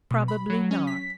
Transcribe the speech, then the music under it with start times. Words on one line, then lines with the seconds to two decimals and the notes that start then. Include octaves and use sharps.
Probably not.
0.11 B2
0.28 B5
0.50 F#3
0.71 C#4
0.87 B6